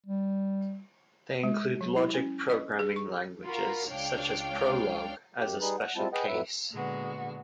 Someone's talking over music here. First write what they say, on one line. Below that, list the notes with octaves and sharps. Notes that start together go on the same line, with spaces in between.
They include logic programming languages such as Prolog as a special case.
G3
G#3
F#3
E4
C#4
D#5
G#4
C#6
F4 F#4 A#4 F5 A#5 B5
C#2 D4 C#5 F5 G5 F6
F#2 G4
G3 D#4 G#4 B4
F#5
G3 G#3 C4 E4 F4 A5
G#4 B4 D#5 F#5 G5
F2 A2 F#3 B4 E5
A#2 D3 G#3 B3 F#4